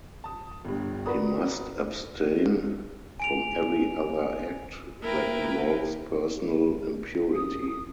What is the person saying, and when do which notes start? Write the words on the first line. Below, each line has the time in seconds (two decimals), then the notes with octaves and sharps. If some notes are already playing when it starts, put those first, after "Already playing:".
He must abstain from every other act that involves personal impurity.
0.24 A5 D#6
0.64 G1 G2
1.06 F#4 A#4 B4 D5 A#5 D#6
3.20 G#5 D7 F7
5.02 A#3 E4 A#4 B4 G5
7.33 F#2 D#6